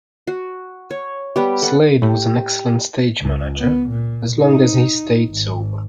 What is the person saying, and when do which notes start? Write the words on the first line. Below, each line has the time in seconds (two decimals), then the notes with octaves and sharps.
Slade was an excellent stage manager as long as he stayed sober.
0.27 F#4
0.91 C#5
1.36 G3 B3 G4
1.62 A4 F#5
2.02 A2 G4 G5
3.21 C#2
3.58 B3
3.89 A#2
4.40 D#4
5.29 G#1